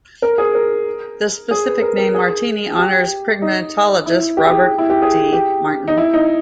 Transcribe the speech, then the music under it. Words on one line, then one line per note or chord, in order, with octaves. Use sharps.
The specific name, "martini", honors primatologist Robert D. Martin.
A#4
G#4
A#4
G#4
B4
A#4
A#4
G#4
G4
D#4
E4
G4
G#4
G4
E4
G4
G#4
G4
D#4
E4
D#4